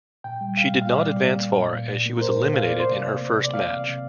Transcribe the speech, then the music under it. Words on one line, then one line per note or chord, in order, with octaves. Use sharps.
She did not advance far as she was eliminated in her first match.
A#2 G5
G3
G3 F5
A#2
F5
A#2 D5
G3
A#3
A#3
A#2
A#2
A#2
A#3
A#4
A#2 C5
A#2
A#2 F5
A#3 D5
C5
C3
D5
C3
A#3
C3
D5
C3 F5
C3
C3